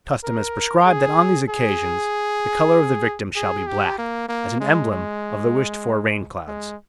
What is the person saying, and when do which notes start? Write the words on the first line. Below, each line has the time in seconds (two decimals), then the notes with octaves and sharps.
Custom has prescribed that on these occasions the colour of the victim shall be black, as an emblem of the wished-for rain-clouds.
0.24 A#4
0.86 G#4
1.48 G#4
3.36 G#4
3.67 G4
3.98 A#3
4.28 A#3
4.60 G#3
4.91 G#3
6.48 G#3